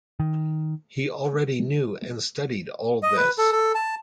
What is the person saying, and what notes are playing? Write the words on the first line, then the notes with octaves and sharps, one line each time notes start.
He already knew and studied all this.
D#3
D#5
B4
A4
A4
A5